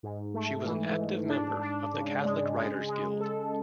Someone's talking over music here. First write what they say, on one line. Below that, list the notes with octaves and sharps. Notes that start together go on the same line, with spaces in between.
She was an active member of the "Catholic Writers Guild".
G#2
A3
E3
G#2
D4
D4
C#3
G#3
G#3
G#3
A4